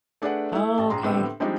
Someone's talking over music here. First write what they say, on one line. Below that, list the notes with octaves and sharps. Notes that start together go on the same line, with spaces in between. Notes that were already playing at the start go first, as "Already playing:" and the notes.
Oh, okay.
A3 D4 G#4 B4 D5 F#5
A3 E4
A1 A5
A#1 G#4 A#5 C6
A2 D3 B3 C4 G4 A4
F3 G3 G#3 C4 D4 D#4